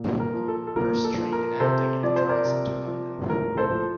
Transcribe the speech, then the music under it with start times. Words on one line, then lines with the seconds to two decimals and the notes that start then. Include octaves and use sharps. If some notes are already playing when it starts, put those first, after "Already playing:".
Hirst trained in acting at the Drama Centre London.
Already playing: A#2
0.20 A#4
0.33 F3
0.48 A4
0.67 A4
0.76 A#2 A#4
1.04 A4
1.18 F3
1.32 A#4
1.60 C3 A4 C5
2.03 F3 D5
2.16 C5
2.29 A#4 D5
2.45 C3
2.87 F3
3.29 A2 A#4
3.57 A4 C5
3.71 F3